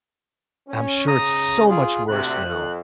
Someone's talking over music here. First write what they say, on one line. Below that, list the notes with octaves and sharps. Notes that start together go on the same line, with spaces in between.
I'm sure it's so much worse now.
C#4
C#3 A#5 D#6
F4 G#4
D2 C3 F#6
F2